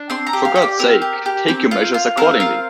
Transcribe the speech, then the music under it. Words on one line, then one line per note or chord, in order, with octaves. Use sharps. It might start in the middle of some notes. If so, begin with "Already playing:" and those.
For God's sake, take your measures accordingly!
Already playing: D4
C4 C6
A#5
G4
F5
G4
D5
C4 A#4
G4
G4
C4
F4
F4
C4 A#4
F4